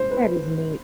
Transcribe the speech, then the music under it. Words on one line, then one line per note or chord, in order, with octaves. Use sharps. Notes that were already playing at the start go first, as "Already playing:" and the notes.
That is neat.
Already playing: G#3 C5
B4